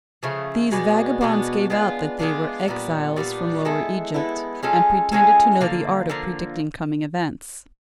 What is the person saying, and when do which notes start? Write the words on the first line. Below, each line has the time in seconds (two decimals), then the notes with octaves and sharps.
These vagabonds gave out that they were exiles from Lower Egypt, and pretended to know the art of predicting coming events.
0.23 C#3 F3 A3
0.71 B2 G#3 B3 D4
1.21 B2 G#3 B3 D4
1.70 G#3 B3 D4 F4
2.19 G#3 B3 D4 F4
2.68 A#2 G3 B3 D4
3.16 A#2 G3 B3 D4
3.65 G#3 B3 E4 A4
4.14 G#3 B3 E4 A4
4.63 G#3 C#4 F4 A4
5.12 G#3 C#4 F4 A4
5.61 D3 F3 A#3
6.09 D3 F3 A#3